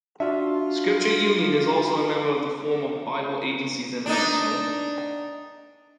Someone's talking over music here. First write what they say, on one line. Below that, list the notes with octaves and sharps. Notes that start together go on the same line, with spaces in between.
Scripture Union is also a member of the Forum of Bible Agencies International.
D4 F4 F#4 E5
D4 D#4